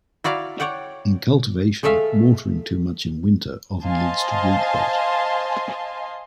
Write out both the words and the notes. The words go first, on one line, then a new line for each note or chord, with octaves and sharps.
In cultivation, watering too much in winter often leads to root rot.
E4 F#4 D5 F5 A#5
C#5 D5 F#5 G5
G#3 A3 A4 E5 F5
C5 D#5 F5 G#5 A5 C6